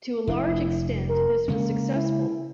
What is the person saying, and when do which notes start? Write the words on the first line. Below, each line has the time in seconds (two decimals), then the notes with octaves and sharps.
To a large extent, this was successful.
0.27 F1 D4 E4
1.09 A#4
1.48 C#3 G#3 A#3 C#4
1.95 E4